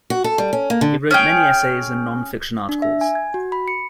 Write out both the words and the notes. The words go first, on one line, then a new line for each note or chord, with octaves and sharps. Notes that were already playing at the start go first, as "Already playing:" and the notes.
He wrote many essays and non-fiction articles.
F#4
A4
G3
C#4
A#3
D3
C#4 G#4 G5
D4
E5
G#5
G#6
F#4
B5
C#7